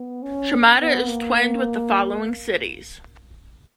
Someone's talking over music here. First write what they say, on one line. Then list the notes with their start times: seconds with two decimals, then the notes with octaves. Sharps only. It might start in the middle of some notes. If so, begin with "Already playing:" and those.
Shimada is twinned with the following cities.
Already playing: B3
0.23 C#4
0.80 B3
1.08 A#3